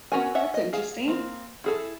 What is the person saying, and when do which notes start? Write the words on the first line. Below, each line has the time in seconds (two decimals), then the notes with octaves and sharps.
That's interesting.
0.12 B3 C#4 F#4 A#4 G#5
0.35 C#4 E5 F#5
0.54 D#5
0.73 G#4 F5
1.08 A#3 C4
1.64 E4 G#4 A4